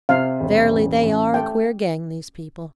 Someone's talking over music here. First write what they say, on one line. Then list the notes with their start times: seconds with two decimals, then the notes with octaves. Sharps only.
Verily, they are a queer gang, these people.
0.09 C3 F5
0.40 E1
0.71 A1
1.03 A1
1.34 A3 G5